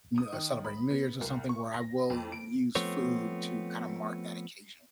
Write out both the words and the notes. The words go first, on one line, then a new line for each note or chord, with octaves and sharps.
you know, celebrating New Years, or something, where I will use food to kinda mark that occasion.
D#6
D#3
B5
B3
C2
C#6
A#6
F2
D7
F3 A3 B3 C4 C#5